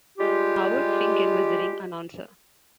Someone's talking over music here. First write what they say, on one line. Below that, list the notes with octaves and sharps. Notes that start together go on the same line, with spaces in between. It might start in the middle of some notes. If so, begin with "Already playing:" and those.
Howard Finkel was the ring announcer.
G3 G#3 F4 G4